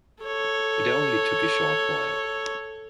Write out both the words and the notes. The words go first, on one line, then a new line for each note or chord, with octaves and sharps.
It only took a short while.
A4 C#5